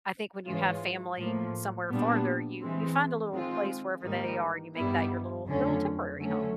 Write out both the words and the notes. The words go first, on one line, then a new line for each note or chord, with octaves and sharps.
I think when you have family somewhere farther, you you find a little place wherever they are and you make that your little your little temporary home.
G#2 E3 G#3 C#4 F4
A2 F3 A#3
A#2 G3 B3 D4
E3 G#3 C4
D#3 G#3 C4 F4
G#2 D#3 G3 A#3 D#4
G2 D#3 G3 B3 E4
F2 D3 F#3 A3 C#4
D3 F#3 A3 C#4